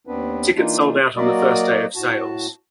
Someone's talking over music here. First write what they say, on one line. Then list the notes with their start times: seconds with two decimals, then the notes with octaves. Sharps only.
Tickets sold out on the first day of sales.
0.07 D#2 B3 C4 D4 B4
0.56 E3 A#3 D4 D#4 F4
1.16 F#3 A#3 F#4 A#4 D5 D#5
1.96 A2 F#4 A5